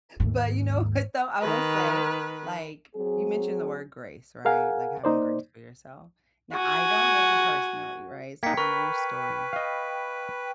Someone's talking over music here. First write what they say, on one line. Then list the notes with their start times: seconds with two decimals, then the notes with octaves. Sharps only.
but, you know what, though? I will say, like, you mentioned the word "grace," right? Like, having grace for yourself. Now, I don't know you personally, right? So, I don't know your story.
0.20 D#2 G#2
1.41 D#3 B4
2.95 F#3 C4 G#4
4.45 G#4 A#4 F5 F#5 G#5
5.04 A#3 D#4 C5 D5
6.53 F#4 G#5
8.43 A#3 D#4 G5 G#6 B6 C#7
8.57 A#4 B4 B5 C#6 F6
9.53 D#5 F5